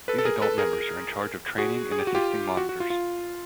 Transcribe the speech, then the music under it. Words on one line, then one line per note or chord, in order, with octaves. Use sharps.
These adult members are in charge of training and assisting Monitors.
A4 B4
A4
G#4 A#4
A4 B4
G#4 A#4
F#4 G#4
G#4
G4
F#4
F4 G4
F#4
F#4
F4
F4